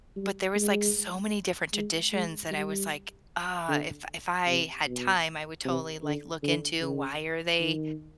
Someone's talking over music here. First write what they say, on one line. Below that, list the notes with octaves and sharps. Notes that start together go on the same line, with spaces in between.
but there was, like, so many different traditions that I was, like, "Ah, if if I had time, I would totally, like, look into why are they
G3
G#3
G#3
G#3
G3
D3
C3
B2
C3
D3
D3
C#3
D#3